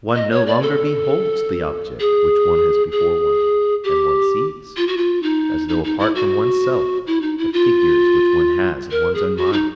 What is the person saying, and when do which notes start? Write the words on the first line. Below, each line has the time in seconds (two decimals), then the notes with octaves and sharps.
One no longer beholds the object which one has before one, and one sees, as though apart from one's self, the figures which one has in one's own mind.
0.15 D#5
0.31 C#5
0.46 D5
0.62 A4
2.00 G#4
2.92 G#4
3.84 G4
4.77 F4
4.87 F#4
4.97 F4
5.23 D#4
5.69 D#4
5.84 D#4
5.99 E4
6.15 F#4
7.07 E4
7.22 D#4
7.38 E4
7.53 F4
8.91 A#4
9.15 G#4
9.37 F#4
9.53 D#4